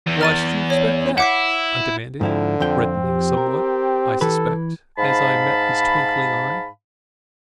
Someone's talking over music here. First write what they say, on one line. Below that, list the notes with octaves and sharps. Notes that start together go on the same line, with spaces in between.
"Why should you expect that?" I demanded, reddening somewhat, I suspect, as I met his twinkling eye.
E2
F6 A6 D#7
C#5
E4 F#5 D6 B6
G#2 D3 F3 C4 E4
F2 F3 C4 G5
G4
A#4
E3 A4 B4
G#2 F5 A5 B5